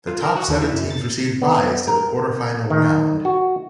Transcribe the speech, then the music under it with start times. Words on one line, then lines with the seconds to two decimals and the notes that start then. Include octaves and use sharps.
The top seven teams received byes to the quarterfinal round.
0.07 F4
0.23 A#4
0.36 F#4
0.48 D#2
0.62 E3
0.74 F#2
0.90 A6
1.42 B3
1.87 A#4
2.70 D#3
3.25 F#4